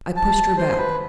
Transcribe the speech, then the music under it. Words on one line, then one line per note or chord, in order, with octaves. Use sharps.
I pushed her back.
A5
C5
B4